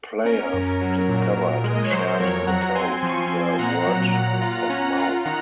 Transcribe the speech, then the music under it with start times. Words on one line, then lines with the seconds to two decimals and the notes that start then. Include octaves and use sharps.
Players discovered and shared the code via word of mouth.
0.25 C#4 A#4
0.54 F#2
0.81 F#3
1.09 A#2
1.37 A#2
1.64 G#3
1.75 D#5
1.84 C#5
1.92 F#3 C5
2.20 F2 A#4 C#5
2.47 F#3 F#5 A#5
2.75 C4 G#5 C6
3.03 F3
3.09 C#6
3.17 G#5 C6
3.31 C4
3.59 A#2 F#5 A#5
3.86 F#3
4.14 A#2
4.42 F4
4.70 C#4
4.97 F4
5.25 D#3 F#5 A#5